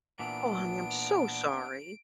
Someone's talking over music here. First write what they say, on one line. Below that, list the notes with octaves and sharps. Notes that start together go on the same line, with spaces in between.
Oh, honey, I'm so sorry.
A#2 E3 B3 D4 D7